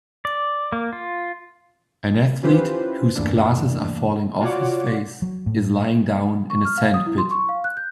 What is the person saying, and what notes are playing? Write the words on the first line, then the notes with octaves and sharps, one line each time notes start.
An athlete who 's glasses are falling off his face is lying down in a sandpit.
D5
A#3
F4
C#4 E4 F4 G4 B4 C5
E2 G2 E3 A3 A#3 D4
F4 F#4 C#5 D5 F#5 D6
F#3
A2
C#6
F6
F5
D#6
E4
C6
C#6
F5
F#6
G6